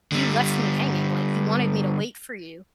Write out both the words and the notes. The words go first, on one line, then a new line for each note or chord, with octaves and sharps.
"You left me hanging, like, you wanted me to wait for you,
D3 G3